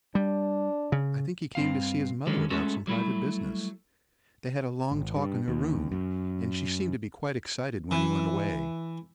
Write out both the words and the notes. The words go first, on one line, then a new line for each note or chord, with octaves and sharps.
I think he came to see his mother about some private business. They had a long talk in her room, and she seemed to be quite excited when he went away.
G3 D4
C#3
G2 C4 F5
D3 D#3 G#3 C#4 G4 A4
G#3 A3 C#4 F#4 A4
F#3 G3 A3 E4
G#1
G2
D#2
F#2
E3